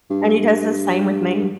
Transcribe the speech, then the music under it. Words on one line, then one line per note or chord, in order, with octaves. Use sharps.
and he does the same with me.
G2